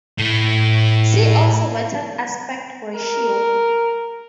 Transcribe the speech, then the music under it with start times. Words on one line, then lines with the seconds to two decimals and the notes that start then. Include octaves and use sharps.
See also Wetted aspect ratio.
0.19 A2 A3
2.95 A#4